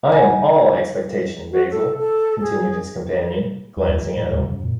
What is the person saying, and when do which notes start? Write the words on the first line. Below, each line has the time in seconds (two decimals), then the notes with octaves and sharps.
"I am all expectation, Basil," continued his companion, glancing at him.
0.12 D#4 F#5 G#5
1.52 F#4
1.70 A4
1.98 A4
2.41 G#4
3.77 F2
3.89 D#2
4.02 F#3
4.17 A2
4.31 D#2
4.52 F#2
4.64 A#2